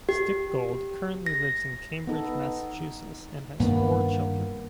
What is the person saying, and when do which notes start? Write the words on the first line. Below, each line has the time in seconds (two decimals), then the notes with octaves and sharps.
Stickgold currently lives in Cambridge, Massachusetts and has four children.
0.09 G4
1.26 A#6
2.07 B3 D#4 A4
3.60 G2 D#3 A#3 B3 D4